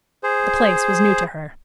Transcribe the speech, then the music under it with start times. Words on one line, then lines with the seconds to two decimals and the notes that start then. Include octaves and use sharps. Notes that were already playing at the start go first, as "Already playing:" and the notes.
The place was new to her.
0.23 G#4 C5